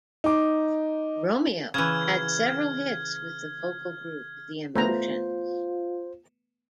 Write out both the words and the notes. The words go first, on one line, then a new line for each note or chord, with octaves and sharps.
Romeo had several hits with the vocal group the Emotions.
D#4 D6
C#3 E3 F6 G#6
A3 B3 F4 C5 A#5